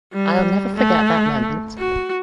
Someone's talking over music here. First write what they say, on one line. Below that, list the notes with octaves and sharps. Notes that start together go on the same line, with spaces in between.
I’ll never forget that moment.
G3
A3
F#4